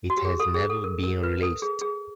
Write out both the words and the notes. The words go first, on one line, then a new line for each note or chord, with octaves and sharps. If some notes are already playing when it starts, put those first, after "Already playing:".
It has never been released.
F#4
G4
G#4
A4
G#4
A4
A#4
A#4
B4
A4
G#4
G#4